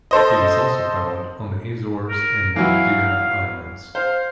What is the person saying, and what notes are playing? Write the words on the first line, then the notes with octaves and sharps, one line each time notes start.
It is also found on the Azores and the Madeira Islands.
A4 C5 D#5
A#4
E3 F#3 E4 F5
C5 F5